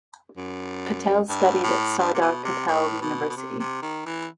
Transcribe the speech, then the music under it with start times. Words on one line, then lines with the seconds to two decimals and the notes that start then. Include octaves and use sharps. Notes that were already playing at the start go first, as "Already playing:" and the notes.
Patel studied at Sardar Patel University.
0.37 F#2
1.29 G2
1.63 A2
1.99 G2
2.14 C3
2.21 B2
2.44 C3
2.67 A2
3.01 B2
3.29 B2
3.36 C3
3.59 C3
3.82 D#3
4.06 E3